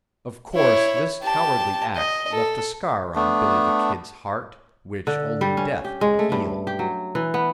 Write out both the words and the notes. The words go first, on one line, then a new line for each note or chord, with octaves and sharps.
Of course this cowardly act left a scar on "Billy the Kid's" heart, which only death could heal.
E4 C#5
G4 A5
D#5
A4
A3 B3 D4
D3
G3
C#4
G4
G#3
A3
G2
G4
F#3
E3
B3